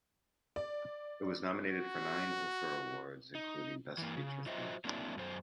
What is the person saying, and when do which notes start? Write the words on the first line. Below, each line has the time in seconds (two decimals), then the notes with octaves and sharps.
It was nominated for nine Ophir Awards including Best Feature Film.
0.56 D5
1.70 F#4
3.35 D#4
3.98 E3 A#3
4.17 C#3
4.46 F#3 F4 F#4 C5 D#5 E5
4.85 F#3 A#3 C4 D4 E4
5.17 F#2 C5